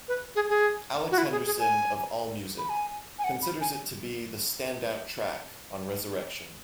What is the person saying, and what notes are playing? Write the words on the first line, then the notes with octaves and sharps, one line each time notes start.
Alex Henderson of Allmusic considers it to be the standout track on "Resurrection".
B4
G#4
G#4
F#4
E4
G#4
G#4
G#5
B5
G#5
G#5
F#5
B5
G#5